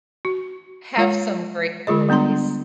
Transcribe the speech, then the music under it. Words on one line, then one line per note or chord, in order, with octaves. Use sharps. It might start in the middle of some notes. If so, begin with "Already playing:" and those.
have some great holidays,
F#4
G#3 F4 C#5 F#5
D3 G#3 F4 G#4 D#5
G3 B3 D4 A#5 C6